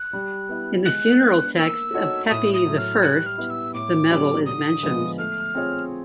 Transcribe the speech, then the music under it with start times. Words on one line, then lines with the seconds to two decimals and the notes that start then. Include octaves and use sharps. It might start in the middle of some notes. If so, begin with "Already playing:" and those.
In the funeral text of Pepi the First, the metal is mentioned.
Already playing: F#6
0.13 G3
0.49 B3 E4
0.85 G#3 F#6
1.22 B3 D4
1.58 A#3 E6
1.93 D#4 F#4 A4 C#5
2.30 A2 D#6
2.54 D#6
2.65 F#3 A3
2.78 F6
3.02 G3 F#6
3.26 F6
3.38 B3 E4
3.50 E6
3.74 A2 D6
4.10 F#3 B3 D4 G4
4.46 D3 D#6
4.83 F3 G#3 B3
5.18 A3 F6
5.55 C4 F4 G#4 C#5